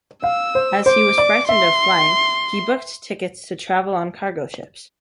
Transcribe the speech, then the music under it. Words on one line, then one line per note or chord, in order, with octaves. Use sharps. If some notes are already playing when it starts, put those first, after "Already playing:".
As he was frightened of flying, he booked tickets to travel on cargo ships.
F5 E6
C5
C5 D6
D5
E5 C6